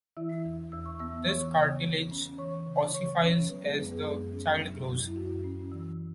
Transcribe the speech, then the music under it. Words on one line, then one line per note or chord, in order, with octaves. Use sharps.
This cartilage ossifies as the child grows.
E3 E4 E5
E2
E2 E6
C#6
B3 E5 E6
E3 C#5 C#6
C#3
C#3
C#4
E3 C#5 C#6
C#3
C#3 C#5 C#6
C#4
F#3 B3 B4
G#3 G#4
F#2 B3 B4
G#3 G#4
F#2 G#3 G#4
C#4
F#3
F#2
E4
F#2 F#4
C#4
E3